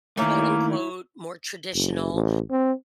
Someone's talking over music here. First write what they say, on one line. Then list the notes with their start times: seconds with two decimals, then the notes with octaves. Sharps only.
quote, unquote, more traditional,
0.17 D#3 E3 A3 A#3 E4 C#5
1.74 F#1
2.13 A1
2.50 C4